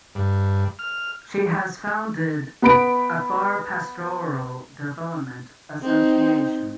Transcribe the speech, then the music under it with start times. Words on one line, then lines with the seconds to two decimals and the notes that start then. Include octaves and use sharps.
She has founded Afar Pastoral Development Association.
0.15 G2
0.79 F6
2.62 B3 B5 D7
5.82 C4 D#4